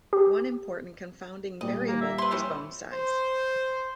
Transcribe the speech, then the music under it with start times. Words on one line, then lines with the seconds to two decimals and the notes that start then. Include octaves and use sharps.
One important confounding variable is bone size.
0.13 G4
1.61 A#2 G3 D#5
1.88 A#3
2.01 E5
2.18 B4 C6
2.31 D#3 E3 C#4
2.93 C5